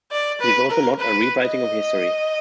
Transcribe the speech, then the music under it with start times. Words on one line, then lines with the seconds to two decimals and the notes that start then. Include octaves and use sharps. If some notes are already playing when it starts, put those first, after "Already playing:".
It is also not a rewriting of history.
0.11 D5
0.41 B4
0.70 A#4
0.98 B4
1.42 D#5